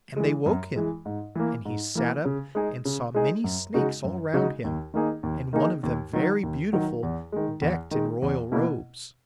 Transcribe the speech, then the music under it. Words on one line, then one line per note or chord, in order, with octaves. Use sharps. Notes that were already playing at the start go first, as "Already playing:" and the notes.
And they woke him, and he sat up and saw many snakes all round him, and one of them very beautiful, decked in royal robes.
E3 G#3
F#2
E3 G#3
G#2
E3 A#3
G#2
E3 A#3
C#3
G#3 D#4 G#4
C#3
G#3 D#4 G#4
F#2
C#3 G#3 D#4 F#4
F#2
C#3 G#3 D#4 F#4
D#2
D#3 A#3 D#4 G#4
D#2
D#3 A#3 D#4 G#4
D#2
D#3 F#3
D#2
D#3 F#3
E2
D#3 G#3
E2
D#3 G#3
E2
B2 A#3 E4